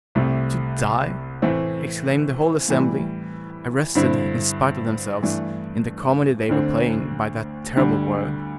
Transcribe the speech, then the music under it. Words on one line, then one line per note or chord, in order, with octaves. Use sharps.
"To die!" exclaimed the whole assembly, arrested, in spite of themselves, in the comedy they were playing, by that terrible word.
C2 C3 A3
A2 E3 A3 C4
A2 E3 G3
G2 D3 C4 E4
G2 E3 A3 D4
D2 D3 C4
D2 D3 G3